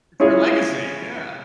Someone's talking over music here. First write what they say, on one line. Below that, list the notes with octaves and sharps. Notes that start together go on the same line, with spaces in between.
It's her legacy, yeah.
C#4 E4 F4 G#4 C#5